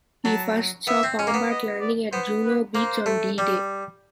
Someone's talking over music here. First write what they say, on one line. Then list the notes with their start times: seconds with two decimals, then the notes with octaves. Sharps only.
He first saw combat landing at Juno Beach on D-Day.
0.25 F#3 A5
0.87 B3 E5
1.03 C4
1.19 C#4
1.27 A#3
1.34 B3
1.50 D#5
1.81 D5
2.12 B3 C5
2.45 B4
2.75 A#3 C5
3.06 A3
3.38 G3